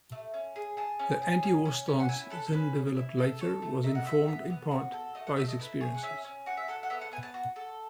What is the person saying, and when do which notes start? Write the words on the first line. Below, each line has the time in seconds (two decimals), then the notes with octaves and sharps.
The anti-war stance Zinn developed later was informed, in part, by his experiences.
0.12 A3
0.34 C#4
0.56 G#4
0.77 G#4 A5
0.99 C#4
1.22 G#4
1.43 C#4
1.65 C#4
1.88 C#4
2.00 F#5
2.09 E4 G#5
2.30 A4 B4
2.48 A4
2.52 C#4 B4
2.75 C#4
2.96 E4
3.19 A4
3.40 A4 C#5
3.62 A3
3.84 D#4 E5
3.95 F#5
4.06 F#4 E5
4.28 B3
4.50 B3
4.71 F#4
4.93 A4
5.15 A3 D#5
5.27 F#5
5.37 A3 E5
5.48 D#5
5.59 E4 B4
5.81 G#4 C#5
5.95 F#5
6.03 C#4 E5
6.24 C#4
6.46 F#4 F#5
6.57 E5
6.68 A4 F#5
6.83 F#5
6.90 B3 E5
7.01 F#5
7.12 B3 G#5
7.23 A5
7.34 F#4
7.56 A4